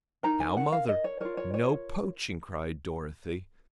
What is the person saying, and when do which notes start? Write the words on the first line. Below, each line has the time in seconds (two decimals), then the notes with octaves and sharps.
"Now, mother, no poaching," cried Dorothy.
0.23 D#4 A#4 A#5
0.40 G#5
0.57 F#5
0.72 F5
0.89 D#5
1.04 C#5
1.20 F4 A#4 C#5
1.37 C#5
1.54 C#5